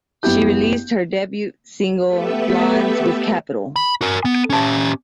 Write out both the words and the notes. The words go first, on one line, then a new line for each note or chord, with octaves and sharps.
She released her debut single "Blondes" with Capitol.
F#1 B3 E4 G4 G6
A3 B3 G4 A4 B4 E5
B5
F#4 A#4
B3
C#4 G4